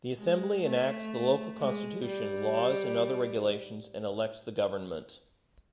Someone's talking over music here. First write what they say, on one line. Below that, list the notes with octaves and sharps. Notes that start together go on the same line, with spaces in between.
The Assembly enacts the local Constitution, laws and other regulations and elects the Government.
G#3
A3
G#3
G3